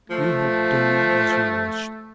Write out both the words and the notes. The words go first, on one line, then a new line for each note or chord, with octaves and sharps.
You have done as you wished.
F3 A3